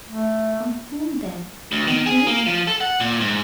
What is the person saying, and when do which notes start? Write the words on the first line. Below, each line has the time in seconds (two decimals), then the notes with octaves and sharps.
"On whom, then!--on me?"
0.08 A3
1.72 D2
1.88 D#3
2.06 G#4
2.27 A#3
2.46 F3
2.67 A4
2.81 F#5
3.00 A#2
3.21 G#2